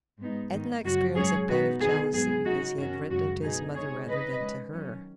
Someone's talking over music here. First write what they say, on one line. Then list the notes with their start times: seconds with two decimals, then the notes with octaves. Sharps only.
Edna experienced a pang of jealousy because he had written to his mother rather than to her.
0.19 G#2 G#3 B3 D#4
0.52 G#2 D#3 B3 D#4
0.84 F#2 C#3 F#3 F#4
1.16 G#2 F#3 C#4 G#4 C#5
1.48 B2 B3 D#4 F#4 B4
1.81 D#3 B3 D#4 G#4
2.13 G#2 F#3 B3 G#4
2.45 C#3 F#3 D#4 F#4
2.78 F#2 D#3 F#3 C#4 F#4
3.10 F#2 C#3 G#3 F#4
3.42 B2 B3 D#4 G#4
3.74 C#3 G#3 D#4 G#4 C#5
4.06 C#3 B3 D#4 B4 D#5
4.38 D#3 G#3 C#4
4.72 D#3 F#3 C#4